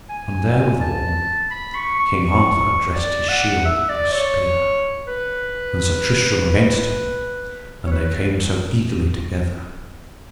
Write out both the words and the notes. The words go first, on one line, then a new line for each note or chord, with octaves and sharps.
And there withal King Arthur dressed his shield and his spear, and Sir Tristram against him, and they came so eagerly together.
G#5
A5
B5
C#6
C#6
C#6
D5
F#5
E5
D5
C#5
B4
C#5
B4